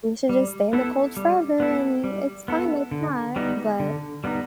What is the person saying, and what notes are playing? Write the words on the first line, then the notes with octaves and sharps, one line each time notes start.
we should just stay in the cold forever and it's fine like that, but
G3
B3 E4 A4
G3
B3 E4 A4
G3
B3 E4 A4
D3
G3 B3 D#4
D3
G3 B3 D#4